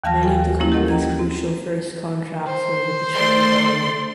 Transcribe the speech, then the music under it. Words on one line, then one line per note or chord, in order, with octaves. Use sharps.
Many of the company’s crucial first contracts were with the Chinese army.
D#2 E3 F5 A5 F6 A#6
F4 A4 G5 G#5
F3 G3 A#3 C#4 E4
G4 A4 A#4 D#5 F#5
G5 A#5 G#6
C4
C5
A3 D5 C6